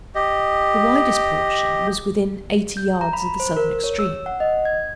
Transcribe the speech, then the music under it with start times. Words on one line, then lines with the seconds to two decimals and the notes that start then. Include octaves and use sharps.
The widest portion was within eighty yards of the southern extreme.
0.15 G4 D#5
2.77 G6
3.01 A#5
3.13 B5
3.40 C5
3.57 A#4
3.84 C#5
3.99 E6
4.26 F#5
4.40 D#5
4.65 G#6